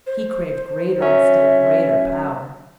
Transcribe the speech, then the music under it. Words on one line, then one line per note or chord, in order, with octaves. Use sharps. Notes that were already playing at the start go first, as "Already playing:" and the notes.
He craved greater and still greater power.
C5
F#3 C#4 E5